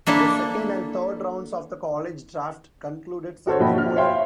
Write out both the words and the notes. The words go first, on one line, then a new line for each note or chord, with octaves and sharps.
The second and third rounds of the college draft concluded Sunday morning.
A#3 D4 E4 A4
F#4 A4 C5 C#5
A#1 B2 F3 F#4 G5 B5
F6
C5 C#5 E5 F5 G5 C6